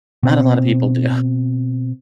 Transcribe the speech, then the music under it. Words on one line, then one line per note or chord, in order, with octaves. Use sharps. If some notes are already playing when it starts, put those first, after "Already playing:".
not a lot of people do.
B2 C4